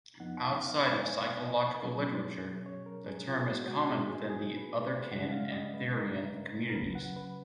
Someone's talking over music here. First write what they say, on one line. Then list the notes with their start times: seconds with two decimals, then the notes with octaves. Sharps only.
Outside of psychological literature, the term is common within the otherkin and therian communities.
0.20 F2 F3 B3 D#4 F#5
0.42 F5
0.62 F5
0.82 D#5
1.02 G#5
1.23 F5
1.44 D#5
1.64 B4
1.75 A#4
1.84 B2 F#3 C#4 G#4
2.66 C#5
2.86 A#4
3.07 G#4
3.28 F4
3.40 G#4
3.48 A#2 G#3 B3 F#4
3.68 F#4
3.89 G#4
4.09 G#4
4.30 G#4
4.57 B4
4.84 B4
5.11 C#3 G#3 C#4 F#5
5.32 F5
5.52 D#5
5.74 B4
5.94 A#4
6.69 A#4
6.75 C#3 F#3 C#4 B4
6.95 F#5
7.16 B4